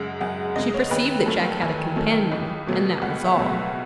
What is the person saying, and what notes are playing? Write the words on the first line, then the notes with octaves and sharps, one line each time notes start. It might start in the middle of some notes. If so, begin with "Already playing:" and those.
She perceived that Jack had a companion, and that was all.
Already playing: F#2 C#3 G#3 F#5
F#2 F#5
C#3 G#3 D#5
C#5
D#2 B4
D#3 F#3 A3 A4
D#2 G#5
D#3 F#3 A3
C#2
B2 F#3 A3
C#2 F#5
E5
B2 F#3 A3
F#4